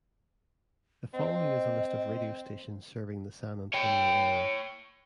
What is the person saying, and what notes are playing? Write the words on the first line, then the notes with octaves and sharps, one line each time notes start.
The following is a list of radio stations serving the San Antonio area.
C4 D#5
C#5 G5